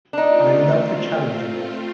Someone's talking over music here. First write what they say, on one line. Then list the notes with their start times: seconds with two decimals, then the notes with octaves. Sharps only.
I love the challenge of it.
0.13 A3 C4 D4 D#4 F4